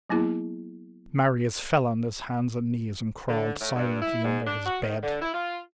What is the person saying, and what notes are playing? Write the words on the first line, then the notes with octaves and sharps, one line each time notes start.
Marius fell on his hands and knees and crawled silently under his bed.
F#3 A#3 B3 E4 G#4
D3
A2
G2
E4
G#2
D4
F#4
D#3
D3
E4
F4